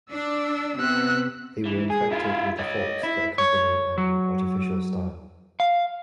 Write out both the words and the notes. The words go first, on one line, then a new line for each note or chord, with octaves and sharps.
They were infected with the faults that accompany an artificial style.
D4 E6
C3 B3 E6 F#6
E3
G#4
E4 F4
C#5 D#5
E4
C#5
F#3
F5